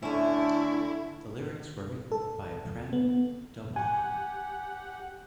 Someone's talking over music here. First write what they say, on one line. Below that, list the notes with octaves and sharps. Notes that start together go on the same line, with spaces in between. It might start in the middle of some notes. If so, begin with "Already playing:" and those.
The lyrics were written by Prem Dhawan.
D3 A3 C#4 E4
A4
B3
G4 F#5 G#5